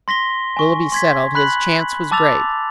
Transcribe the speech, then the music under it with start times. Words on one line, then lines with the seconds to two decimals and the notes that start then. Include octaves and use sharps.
Willoughby settled, his chance was great.
0.08 C6 A#6 B6 G7
0.57 G#5 C#6
0.92 C6 G#6 B6
1.35 B5 F#6 B6 F#7
2.12 A5 D6 E6 A6 F7